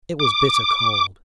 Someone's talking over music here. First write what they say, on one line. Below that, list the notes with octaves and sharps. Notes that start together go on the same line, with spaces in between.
It was bitter cold.
D6